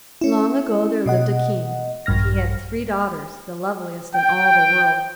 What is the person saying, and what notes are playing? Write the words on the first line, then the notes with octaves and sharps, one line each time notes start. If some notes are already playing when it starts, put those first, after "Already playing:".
Long ago there lived a King, and he had three daughters, the loveliest in all the world.
C#4 E4
B2 D#5 F#5
A#1 G2 F6 A#6
G5